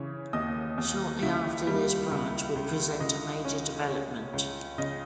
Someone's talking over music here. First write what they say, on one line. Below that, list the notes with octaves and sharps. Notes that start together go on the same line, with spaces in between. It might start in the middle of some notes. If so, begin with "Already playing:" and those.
Shortly after this branch would present a major development.
Already playing: C#3 E3 C#5
D#2 D#5 D#6
D#2
C#2 E4 E5
G3
C#2
C#2
C#2 D#5
C#4
C#4
C#2
C#3 D#5